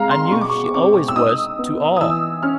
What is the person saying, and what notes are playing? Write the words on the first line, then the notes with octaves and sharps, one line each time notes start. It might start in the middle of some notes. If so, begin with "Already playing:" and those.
I knew she always was, to all.
Already playing: C3 G#3 F5 A#5
C6
B2 C#6
D6
C#6
C4 D6
E6
D#4 D#6
B3
D#6
E3 E6
C#4 F6